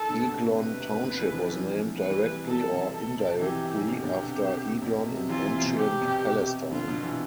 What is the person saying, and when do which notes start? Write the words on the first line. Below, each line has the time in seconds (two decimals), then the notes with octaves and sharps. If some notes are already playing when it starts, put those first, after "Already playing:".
Eglon Township was named directly, or indirectly, after Eglon in ancient Palestine.
Already playing: A4
0.08 B2 D3
0.22 B2
0.33 C3
0.56 B2 B4
0.80 C3
1.03 B2 D3
1.19 C3 E3
1.35 F3
1.46 E3
1.56 D3 F3
1.98 B4
2.10 E3 G3
2.22 C3
2.33 C3
2.46 C3 A4
2.70 B2
2.93 C3 A4
3.17 B2
3.28 C3
3.41 C3 E3 G4
3.52 C3
3.64 C3
3.75 C3 E3
3.88 B2 D3 G4
4.04 B2 D3
4.19 C3
4.82 B2
4.99 C3
5.14 C3
5.29 C3 E3 F4
5.46 C3 E3
5.61 B2
5.77 C3 G4
6.01 B2
6.25 C3
6.71 B2 D3 F4
6.87 B2 D3
7.03 C3 E3